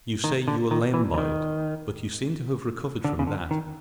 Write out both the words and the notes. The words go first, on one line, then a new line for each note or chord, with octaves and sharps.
You say you were lamed by it--but you seem to have recovered from that.
D#3
D3
D#3
E3
E3
D#3
D3
C#3
D3
D#3